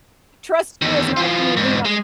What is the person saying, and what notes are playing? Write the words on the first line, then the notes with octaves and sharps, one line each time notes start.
trust you is not "can you lean on me?"
E2 D#3
E3 F4
E2 G#2
G#3